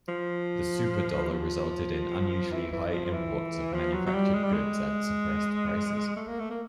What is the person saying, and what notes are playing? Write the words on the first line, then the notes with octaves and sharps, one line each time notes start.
The "super dollar" resulted in unusually high imports of manufactured goods at suppressed prices.
F3
F3
E3
E3
F3
F3
E3
F3
F#3
F#3
G3
G#3
G3
G#3
A3
A#3
A3
A#3